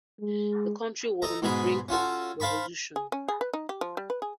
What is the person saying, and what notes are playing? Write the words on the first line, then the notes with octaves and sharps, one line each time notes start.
The country was on the brink of revolution.
G#3
A4 D#5 A#5
G#2 B2 G#3 G#4 B5
C#4 F4 F#4 A4
C5 F5 A5 B5 C#6
G#4
C#4
G#4
B4
D#4
G4
F3
G3
B4
G#4